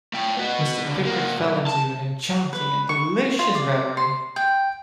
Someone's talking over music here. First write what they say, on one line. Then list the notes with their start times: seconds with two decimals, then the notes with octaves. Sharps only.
Mr. Pickwick fell into an enchanting and delicious reverie.
0.13 A3 G5
0.37 B3 F#4
0.86 C#2 D3
1.05 A#3 F#4
1.38 B1 G#2
1.67 A5
2.53 B4
2.89 C#6
3.39 F4
3.55 D5
3.97 C6
4.36 G5